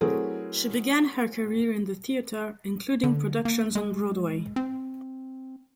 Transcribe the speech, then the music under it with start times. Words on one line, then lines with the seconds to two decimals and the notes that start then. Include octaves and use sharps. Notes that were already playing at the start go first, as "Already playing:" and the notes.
She began her career in the theater, including productions on Broadway.
0.01 F#3 A3 C4 E4 G#4 A#4
3.03 D3
3.45 A#3
3.75 G#3
4.56 C4